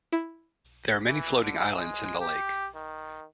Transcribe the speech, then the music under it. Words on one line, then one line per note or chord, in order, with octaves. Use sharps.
There are many floating islands in the lake.
E4
E3
D3
G#3
G4
D#3